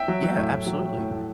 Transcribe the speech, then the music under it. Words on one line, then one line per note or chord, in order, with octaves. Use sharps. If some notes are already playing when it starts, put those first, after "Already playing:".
Yeah, absolutely.
Already playing: E5 G5
F#3
F#3
A2
A2
F#3
F#3
A2
A2